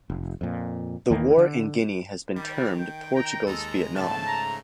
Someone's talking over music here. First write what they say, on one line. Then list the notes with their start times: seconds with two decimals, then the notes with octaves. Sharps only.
The war in Guinea has been termed "Portugal's Vietnam".
0.10 F1
0.41 F2 A#2
1.10 D#2 D#3 E3 A#3
1.37 D3
2.36 D#3 G3
2.76 G5
3.15 G5 A#5
3.46 D#2 G#3 A4 A#5
3.96 G#2 C#3 A3 A5
4.27 A#5